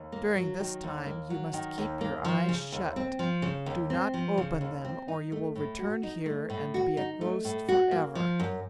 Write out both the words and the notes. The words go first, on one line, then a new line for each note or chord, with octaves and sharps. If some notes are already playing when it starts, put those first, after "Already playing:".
During this time you must keep your eyes shut; do not open them, or you will return here and be a ghost forever.
Already playing: D#2
A#3
F#3
D#3
D#2
A#3
F#3
D#3
D#2
A#3
F3
C#3
D#2
C4
F3
C#3
D#2
C4
F3
C#3
D#2
C4
D#4
A3
A2
F#4
D#4
A3
A2
F#4
D#4
A3
A2
F#4
A#3
F3
F#2